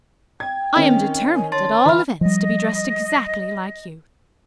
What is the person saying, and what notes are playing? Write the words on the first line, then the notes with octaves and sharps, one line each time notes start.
I am determined, at all events, to be dressed exactly like you.
G5 G#6
D#3 C4 C#4 D#5
G#5
C#5 A5 C6 A6
E3 E5 B5 F6
F3 G3 D#5